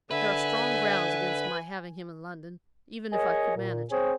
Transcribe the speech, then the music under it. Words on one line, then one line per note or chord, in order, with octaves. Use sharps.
There are strong grounds against my having him in London, even if I could manage it.
D3 B4 E5 G#5
G#4 A#4 C#5 D#5 G#5
A#2
C4 G#4 C5 C#5 G#5